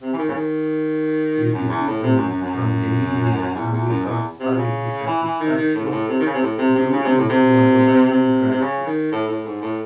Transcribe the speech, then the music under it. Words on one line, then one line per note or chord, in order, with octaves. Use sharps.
Criticism from the media and record public dissatisfaction grew into a government crisis.
C3
E3
D#3
C#3
D#3
F#2
E2
A2
C3
F#2
F#2
F#2
E2
E2
F#2
E2
C3
C3
C#3
E3
E3
D#3
D#3
A2
G#2
A2
C3
D#3
C#3
C3
A2
C3
C3
C#3
C3
A2
C3
C3
C3
C#3
D#3
A2
A2
G#2
A2